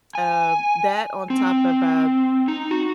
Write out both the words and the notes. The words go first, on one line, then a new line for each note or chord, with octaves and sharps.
um, that, on top of, uh,
G#5
C4
D#4
F#4